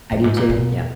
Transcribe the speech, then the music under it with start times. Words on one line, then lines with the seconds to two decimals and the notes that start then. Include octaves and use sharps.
I do too, yeah.
0.12 F#2
0.24 G#2
0.37 A#2
0.50 B2